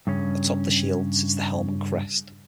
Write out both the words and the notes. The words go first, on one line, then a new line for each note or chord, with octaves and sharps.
Atop the shield sits the helm and crest.
G2 C#3 C#4